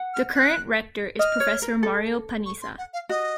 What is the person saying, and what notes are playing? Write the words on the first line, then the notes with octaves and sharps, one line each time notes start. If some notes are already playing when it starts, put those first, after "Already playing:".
The current Rector is Professor Mario Panizza.
Already playing: F#5
F6
F#6
D#5 F6
C#5
A#4
A4
C#6
C6
F#5
F5
F#4 D#5